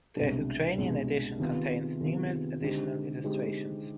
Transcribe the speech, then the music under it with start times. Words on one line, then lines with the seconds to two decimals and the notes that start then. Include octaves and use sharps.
The Ukrainian edition contains numerous additional illustrations.
0.16 C2 B2 G#3 D4
0.78 C2 B2 G#3 D4
1.39 C3 D#3 B3 F4
2.00 C3 D#3 B3 F4
2.62 D3 G#3 C4 D#4 G4
3.23 D3 G#3 C4 D#4 G4